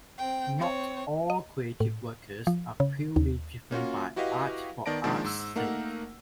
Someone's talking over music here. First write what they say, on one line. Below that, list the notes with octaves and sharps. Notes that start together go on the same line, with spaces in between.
Not all creative workers are purely driven by 'art for art's sake'.
C4 G5
C4 C#5
D#5
A2
F3
C#3
D#2
A#3 C#4 F4 F#4
E4 F#4 G4 B4 D#5 F5
D#3 B3 D5 A5 A#6 D7
D#3 F3 G#3 A#3 D4 C5
G#2 E6
A3 A#3 D#4 A#4 F#5